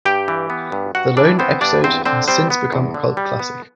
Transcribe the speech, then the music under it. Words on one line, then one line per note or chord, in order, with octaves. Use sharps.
The lone episode has since become a cult classic.
G2 G4 G5
E3
B3
G2
G2 F#4 F#5
E3 D4 D5
B3 C4 C5
G2 D4 D5
E2 C4 C5
D3 C4 C5
G3 C4 C5
B3
E2
D3
G3
B3